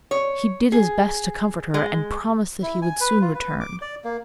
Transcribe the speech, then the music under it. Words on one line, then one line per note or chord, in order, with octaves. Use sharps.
He did his best to comfort her and promised that he would soon return.
C#5
G#4
G#3
E4
G#5
B4
F4
B4
D6
D5
A#3